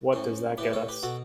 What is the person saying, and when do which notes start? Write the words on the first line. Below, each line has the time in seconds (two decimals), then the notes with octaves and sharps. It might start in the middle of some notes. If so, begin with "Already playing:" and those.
What does that get us?
0.13 A2 E3 C#4
0.58 A2 E3 G4 B4
0.73 A4 C#5
0.88 G4 B4
1.03 B2 F#4 A4